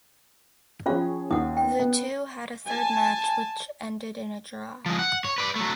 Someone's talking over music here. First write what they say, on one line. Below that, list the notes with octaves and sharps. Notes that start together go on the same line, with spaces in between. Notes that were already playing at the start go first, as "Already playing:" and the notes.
The two had a third match, which ended in a draw.
F3 C#4 F4 G#4 C#5 F5
D#2 F#5 D#6
G5
B3
G#5 A5
F3 G#3
F#5
C#5
B4 D5
F#3 A3